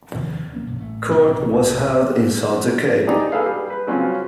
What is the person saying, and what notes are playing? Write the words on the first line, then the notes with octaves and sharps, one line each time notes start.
Court was held in Sauta Cave.
D#2 C3 D#3 F3
F#3 A#3 C#4
B1 G2 F3
A1 A3
D1 A2 C3
C2 C#3 E3 G#3
D#4 G4 G#4 D5
G#4 A4 B4 F5
G3
B4
C#3 F#3 C4 C#4 F4